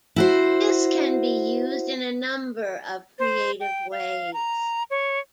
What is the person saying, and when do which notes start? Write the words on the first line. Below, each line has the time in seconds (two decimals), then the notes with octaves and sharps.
This can be used in a number of creative ways.
0.16 E4 F#4 C5
3.19 C5
3.60 G5
3.92 F5
4.34 A#5
4.90 C#5